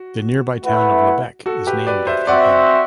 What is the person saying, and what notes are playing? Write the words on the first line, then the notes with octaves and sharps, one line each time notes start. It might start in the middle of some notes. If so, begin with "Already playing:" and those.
The nearby town of Lebec is named after him.
Already playing: F#4
A3 E4 B4 F#5
F#4 A4
G4 B4
B4 D5
C5 E5
C4 F#4 C5 D5 E5 F#5